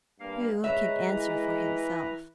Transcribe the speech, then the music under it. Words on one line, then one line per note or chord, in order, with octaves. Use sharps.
Who can answer for himself?
G2 A#3 F5
G#3 B4 C#5 E5 A#5
E3